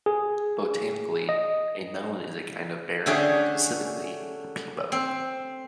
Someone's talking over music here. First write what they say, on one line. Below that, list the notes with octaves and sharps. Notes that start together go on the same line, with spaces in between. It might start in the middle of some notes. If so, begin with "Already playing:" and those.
Botanically, a melon is a kind of berry, specifically a "pepo".
G#4
D#5
D3 A3 C#4 D4 G4 G#4
C4